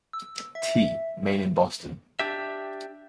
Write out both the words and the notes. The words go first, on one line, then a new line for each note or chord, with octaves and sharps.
T. Main in Boston.
E6
E5
D4 G4 E5